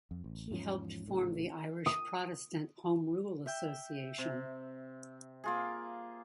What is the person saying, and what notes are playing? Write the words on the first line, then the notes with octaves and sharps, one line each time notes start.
He helped form the Irish Protestant Home Rule Association.
F2
A1
E2 G#2 F3 C#4
A#1 A2 C#3
D#6
E5 G5
C3
A#3 F4 G#4